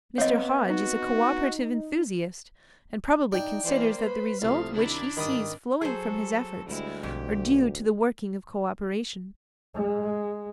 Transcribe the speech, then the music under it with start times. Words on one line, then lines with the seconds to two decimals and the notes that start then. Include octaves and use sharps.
Mr. Hodge is a co-operative enthusiast and probably considers that the result which he sees flowing from his efforts are due to the working of co-operation.
0.18 B3 C4 C#5 D#5 F5
0.70 D#4 F#4
3.32 D4 D#4 G5
3.64 E3 A#3 C5 D5
4.00 B4 B5
4.42 C2 F3 A3 F5
4.73 C3 D#3 D4 E4 D5 A#5
5.17 G#1 G2 D#3 B5 D#6
5.81 F#3 G#4 A4 C5
6.67 D2 G3 G#3 E4 F4
7.03 B1 F2 G4
9.75 G#3